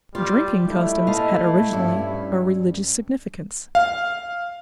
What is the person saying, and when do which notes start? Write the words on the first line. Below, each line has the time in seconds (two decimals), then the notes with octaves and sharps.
Drinking customs had originally a religious significance.
0.15 G3 F4
0.64 G3 A3 D#4 E4
1.07 A#2 D#5 F5 A5
1.73 G2 G3 C#4
3.75 F5